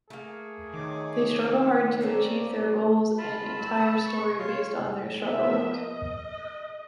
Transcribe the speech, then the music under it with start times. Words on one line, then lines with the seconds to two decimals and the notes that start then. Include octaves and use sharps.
They struggle hard to achieve their goals and entire story based on their struggle.
0.10 A3 A#3 G#4
0.74 D#3 C#5 D6
2.01 C4 C#4 G4 A4 A#4 D5
3.18 F4 A5 B5
3.60 E6
4.07 C#6
4.39 F4 C#5 C6
5.22 F3 A#3 B3 E5
5.76 D#5